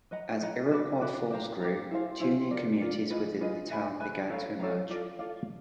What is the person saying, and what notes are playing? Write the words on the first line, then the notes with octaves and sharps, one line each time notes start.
As Iroquois Falls grew, two new communities within the town began to emerge.
B4 D#5 F#5 A#5
B4 D#5 F#5 A#5
F#4 B4 D5
F#4 B4 D5
G4 C5 F5 A#5
G4 C5 F5 A#5
E4 G#4 C5 F5
E4 G#4 C5 F5
F4 A#4 D5
F4 A#4 D5
F4 G#4 B4 D#5
F4 G#4 B4 D#5
B4 E5 G#5 B5
B4 E5 G#5 B5
A4 C#5 F5 A#5
A4 C#5 F5 A#5
F4 A4 D5 F5
F4 A4 D5 F5